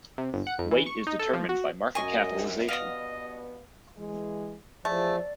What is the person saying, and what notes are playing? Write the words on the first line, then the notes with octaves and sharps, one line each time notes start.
Weight is determined by market capitalization.
C3
G1
F#5
F2
E3
C#6
D#4
A4
F3
F#4
F#2 D#5 G#5 C#6
G2 B2 B3 D#5 F5 D#6
E3 G#3
E2 F3 A3 G#4 D5